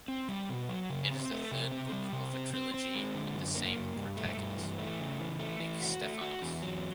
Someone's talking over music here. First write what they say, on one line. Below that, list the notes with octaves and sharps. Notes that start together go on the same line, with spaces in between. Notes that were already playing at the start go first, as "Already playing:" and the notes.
It is the third book of a trilogy with the same protagonist, Nick Stefanos.
C4
G3
B2
F#3
C#3
C4
A3
C3
C4
G3
C3
C4
C4
C4
G#3
D3
F#2
A#3
F#2
G2
A3
G2
E3
A3
C#3
E3
A3
E3
F#4
A3
F#4
E2
F#3